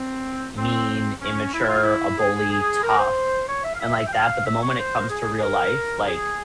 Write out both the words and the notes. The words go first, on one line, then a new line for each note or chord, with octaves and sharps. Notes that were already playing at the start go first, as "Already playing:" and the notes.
mean, immature, a bully, tough, and like that, but the moment it comes to real life, like
Already playing: C4
C4
C#4
E4
F4
E4
G#4
G#4
A#4
C5
C#5
E5
F5
E5
G5
F5
E5
C#5
C5
A#4
G#4
G#4
A#4
G#4